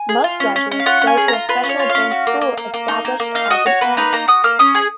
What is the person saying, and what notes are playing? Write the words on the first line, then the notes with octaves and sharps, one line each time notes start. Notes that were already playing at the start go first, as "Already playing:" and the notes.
Most graduates go to a special advanced school established as an annex.
Already playing: G#5
G#4
F4
C#4
C#4
C#4
F5
F4 F#5
C#4
G#5
G#4
F4 A#5
F4 B4
C#4
C#5
F4
F5
C#4
F#4
A#3
A#3
A#3
A#3
D#4
A#3
A#3
D#4 F5
F#4 D#5
F#4 C#5
A#3 B4
D#4 B4
A#3 A#5
F#4 D#6
A#3 F6
C#4 D#6
G#4